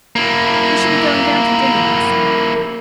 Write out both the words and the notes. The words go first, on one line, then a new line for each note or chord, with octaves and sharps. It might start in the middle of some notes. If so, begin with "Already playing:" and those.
"We shall be going down to dinner in less than an hour."
A#3 E4